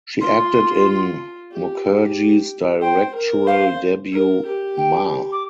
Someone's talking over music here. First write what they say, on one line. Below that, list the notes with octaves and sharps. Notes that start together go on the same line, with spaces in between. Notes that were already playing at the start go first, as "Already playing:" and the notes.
She acted in Mukherjee’s directorial debut "Maa".
F4 C6
G4
C5 G5
A#4
C5 F5
A#4
G4
G5
D6